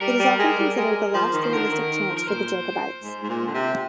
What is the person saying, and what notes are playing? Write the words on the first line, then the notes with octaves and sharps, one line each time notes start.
It is often considered the last realistic chance for the Jacobites.
G3 A#4
G3
G#3
G3
G#3
F3
D#3
C5
D3 A#4
D#3
D#3
F3
A#4
A#2 C5
G#2
G#2
A#2
D3
C3